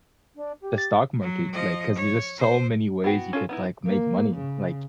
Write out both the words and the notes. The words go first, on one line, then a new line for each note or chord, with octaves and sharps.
the stock market, like, 'cause there's just so many ways you could, like, make money, like,
D4
G4
A6
F#3
F3 D#5
C#5
C5
B3 E4 F#4 G5
C#4 F4 A4
B3 D#4 E4
A#3
C#3